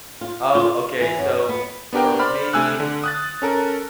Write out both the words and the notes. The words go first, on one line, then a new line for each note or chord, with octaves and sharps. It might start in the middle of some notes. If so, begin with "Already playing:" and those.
Um, okay, so, for me,
F4
F4
E3
F#2
B3
B3 D4 G4 A#4 G5
C5 D5 B5 F6
C3 A3 G#5 E6 F#6
D3
D#6 F#6 A6
C#4 A4 A#4